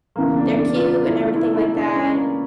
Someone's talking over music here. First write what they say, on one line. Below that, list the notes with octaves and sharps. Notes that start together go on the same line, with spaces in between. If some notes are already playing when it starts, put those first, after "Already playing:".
They're cute and everything like that.
E1 E2 C#3 E3 A#3
D4
D4
F4
E4
E4
E4
D4
C#4
A#3